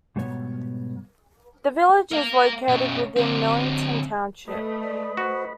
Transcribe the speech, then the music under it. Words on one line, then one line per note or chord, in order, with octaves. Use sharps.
The village is located within Millington Township.
G#2 B2 G3 B3 C#5
A#4 F5
B2 C#4
D3 C4
A3 B4 D#5 B5
D5
F#4 C5